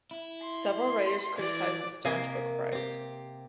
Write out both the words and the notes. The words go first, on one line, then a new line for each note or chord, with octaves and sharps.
Several writers criticized the Staunch Book Prize.
E4
C6
E3 D5
C3 A#3 D#5 G#5 C6
C4 G4